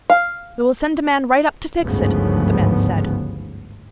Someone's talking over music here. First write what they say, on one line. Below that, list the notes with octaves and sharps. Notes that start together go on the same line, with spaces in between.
"We will send a man right up to fix it!" the men said.
F5
G1 D2 G#2 C#3 F3 B3